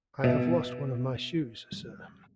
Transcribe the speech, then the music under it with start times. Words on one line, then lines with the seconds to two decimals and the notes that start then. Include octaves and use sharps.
I have lost one of my shoes, sir.
0.24 B2 E5